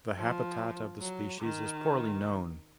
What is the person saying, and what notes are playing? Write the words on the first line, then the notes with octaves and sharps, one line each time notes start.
The habitat of the species is poorly known.
F3
F#3
D#3